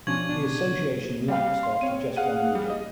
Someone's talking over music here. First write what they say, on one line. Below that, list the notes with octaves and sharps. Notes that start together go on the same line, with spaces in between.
The association lapsed after just one year.
B2 F3 C#4 D4 C#6 G#6 F#7
D4
G3 F5
C6
C4 C#5 D#7
G#4 F5 F#5 D#7
G3
D#5